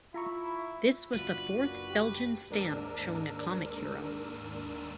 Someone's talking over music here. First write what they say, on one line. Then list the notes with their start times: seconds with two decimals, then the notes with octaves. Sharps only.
This was the fourth Belgian stamp showing a comic hero.
0.14 E4 F4 A#5 C#6
1.14 F#1 D4 F4 F#4 B4
1.60 A#2
1.90 G4
2.50 D#2 G#2 D4 A#4 E6 D#7